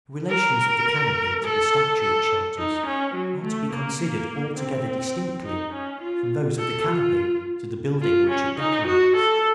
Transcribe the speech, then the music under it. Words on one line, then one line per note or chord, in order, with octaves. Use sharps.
The relations of the canopy to the statue it shelters, are to be considered altogether distinctly from those of the canopy to the building which it decorates.
A#4
A4
A4
D#4
C#4
F#3
A3
A#3
A#3
C4
D#4
C#4
F4
A4
F4
F4
C#4
D#4
F#4
A4